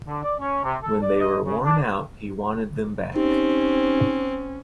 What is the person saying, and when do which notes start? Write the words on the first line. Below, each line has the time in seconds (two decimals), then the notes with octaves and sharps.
When they were worn out, he wanted them back.
0.07 D3
0.24 D5
0.39 C#4
0.64 C3
0.83 A4
1.02 D5
1.20 D#5
1.46 C#3
1.64 D4
3.16 C4 C#4 D#4 G4